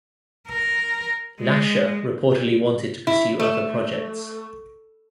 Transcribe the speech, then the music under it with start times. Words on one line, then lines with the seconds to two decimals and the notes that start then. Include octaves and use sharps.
Lascher reportedly wanted to pursue other projects.
0.49 A#4
1.41 G#3
3.07 E4
3.39 A3